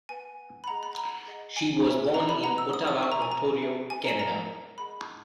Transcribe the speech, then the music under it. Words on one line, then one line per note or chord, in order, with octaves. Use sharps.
She was born in Ottawa, Ontario, Canada.
B4 F#5 G#5
B5
G#4 D#5 F#5 A#5
B5
A#5
G#4 D#5 F#5
G#5
G#4 C#5 E5
A#5
B5
B4 D#5 F#5 A#5
E6
D#6
D#6
A#4 E5 C#6
A#5
G#5
A#5
G#4 B4 E5
G#5
A#5
A#4 E5 A#5
G#4 D#5 F#5 B5